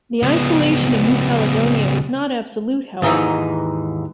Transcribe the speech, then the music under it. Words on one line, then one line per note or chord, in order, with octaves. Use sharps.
The isolation of New Caledonia was not absolute, however.
C#2 B3
D#2 G#2 D#3 E3 D#4